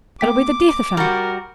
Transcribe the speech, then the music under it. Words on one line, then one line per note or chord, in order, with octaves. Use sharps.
It'll be the death of him.
A#3 G5 D6 B6
G3 F#4 A#4